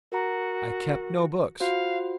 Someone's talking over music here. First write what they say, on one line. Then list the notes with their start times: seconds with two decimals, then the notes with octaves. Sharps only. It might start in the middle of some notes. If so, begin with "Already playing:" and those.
I kept no books.
0.12 F#4 A#4 A#5
1.60 F4 F#4 C5 F5